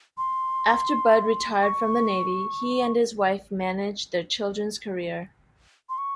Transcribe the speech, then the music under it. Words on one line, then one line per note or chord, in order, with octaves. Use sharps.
After Bud retired from the Navy, he and his wife managed their children's career.
C6
C#6
C6
C#6